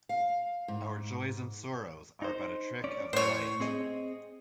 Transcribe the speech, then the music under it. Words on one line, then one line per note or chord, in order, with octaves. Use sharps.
Our joys and sorrows are but a trick of the light.
F5
G#2
D#4 C5
C#4 D5
A2 C5 C#5
C4 G#4 D#5